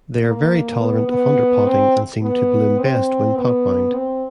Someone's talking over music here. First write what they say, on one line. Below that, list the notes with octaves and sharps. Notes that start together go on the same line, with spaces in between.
They are very tolerant of underpotting and seem to bloom best when potbound.
A#3
B3
B3
C4
B3
C4
B3
C4